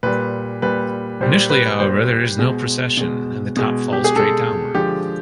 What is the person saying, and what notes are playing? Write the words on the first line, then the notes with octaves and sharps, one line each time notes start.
Initially, however, there is no precession, and the top falls straight downward.
A#2 G3 B4
A#2 G3 B4
A#2 G3 C5
B4
A#2 G3 C5
B2 G#3
B2 G#3
B2 G#3
G4
G#4
B2 G#3 A4
D3 F3 G#3 G4